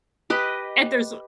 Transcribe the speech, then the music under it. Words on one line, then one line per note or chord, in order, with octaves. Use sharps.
And there's I
G4 B4 D#5